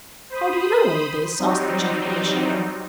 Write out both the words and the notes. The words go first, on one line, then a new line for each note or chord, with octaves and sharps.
"How do you know all this?" asked the Chief Commissioner.
C5 B5 D#6
F#3 G3 C4 D#4